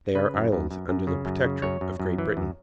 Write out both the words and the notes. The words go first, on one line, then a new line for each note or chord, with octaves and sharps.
"They are islands under the Protectorate of Great Britain."
C#3 B4
F#2
F#2
F#2
F#2
C#3
F#2
C#3
F#2 C#5
F#2
F#2
E3
F#2